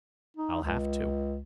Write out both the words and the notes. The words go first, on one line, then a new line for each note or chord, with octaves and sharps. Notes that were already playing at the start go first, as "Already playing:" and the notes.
I'll have to.
D#4
C#2